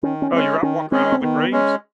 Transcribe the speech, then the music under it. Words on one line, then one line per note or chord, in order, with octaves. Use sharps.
Oh, you're out walk around all the graves?
D#3 C#4
C#4
G#3 C4 C#4
D#3 C#4
G#3 C4 C#4
C4
D#3 B3
G#3 C#4